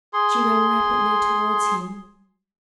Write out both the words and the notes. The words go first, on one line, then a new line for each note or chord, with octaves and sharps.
She ran rapidly toward him.
G#4 C6